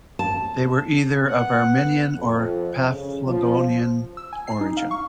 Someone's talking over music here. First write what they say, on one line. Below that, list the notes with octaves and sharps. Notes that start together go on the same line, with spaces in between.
They were either of Armenian or Paphlagonian origin.
A5
B3 F#5
F2
C#3
F3
E6
G#5
C7
D#4
F5
C#6